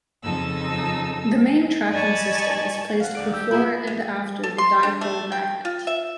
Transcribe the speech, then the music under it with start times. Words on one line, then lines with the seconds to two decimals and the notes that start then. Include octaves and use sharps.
The main tracking system is placed before and after the dipole magnet.
0.23 F2 C#3 D#4 A4 E6
1.91 D5 D#5 G#5 A5 B5 C#6
3.00 F5 F#5
3.15 D2 D5 D7
3.34 G4 E6
3.51 A#2 A#3 E4 G#4 B5
3.87 G#3
4.43 A4
4.58 C6
4.83 D4
5.01 A3
5.32 G5
5.65 F4
5.87 E5